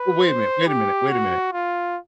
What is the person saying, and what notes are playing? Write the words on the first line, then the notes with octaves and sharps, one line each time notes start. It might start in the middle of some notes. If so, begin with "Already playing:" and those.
Wa wait a minute wait a minute wait a minute,
Already playing: B4
C5
G4
F#4
F4